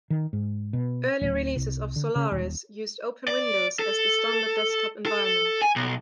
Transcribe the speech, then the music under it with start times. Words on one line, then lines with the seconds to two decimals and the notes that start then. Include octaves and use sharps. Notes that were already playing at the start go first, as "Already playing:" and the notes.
Early releases of Solaris used OpenWindows as the standard desktop environment.
0.10 D#3
0.33 G#2
0.73 B2
1.21 D1
1.56 C2
1.96 D3
2.16 C#3
2.32 D#1
3.28 D5
3.79 A4
5.06 A4
5.62 G#5
5.76 B1